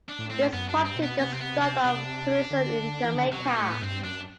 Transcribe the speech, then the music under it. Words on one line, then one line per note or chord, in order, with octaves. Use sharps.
This prompted the start of tourism in Jamaica.
D4
A2
C4
F#2 B3
D4
G2
C4
B2
B3
C3 B3
C4
B3
C4
C3 D4
D3
E3
D3
C3
F#3
B2
G3
A2 A3
B3
G2 C4
F#2 D4